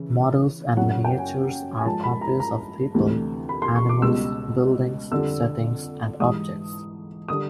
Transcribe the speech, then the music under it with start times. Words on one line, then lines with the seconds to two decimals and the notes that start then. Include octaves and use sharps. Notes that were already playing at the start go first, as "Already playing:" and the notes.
Models and miniatures are copies of people, animals, buildings, settings and objects.
Already playing: C#3 E3
0.77 F#2 C#3 F#3 F#5
0.90 F#5
1.04 G5
1.18 G#5
1.78 G#5
1.86 G#2 F3 A5
2.03 B5
2.21 A#5
2.40 A#5
2.94 D2 C3 E3 G3
3.49 B5
3.62 C6
3.76 C#6
3.89 D6
4.02 C#2 B2 G3 E6
5.11 F2 D3 G3 E6
6.20 G#2 E3 G3 D#6
7.28 D3 G3 D#6